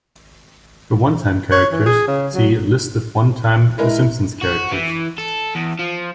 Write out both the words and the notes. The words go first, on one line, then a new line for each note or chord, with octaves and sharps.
For one-time characters, see "List of one-time The Simpsons characters".
C#5
E3
G#4
C#3
F#3
G#3 E4 A#4 B4
F#4
E3
A4
E2
F3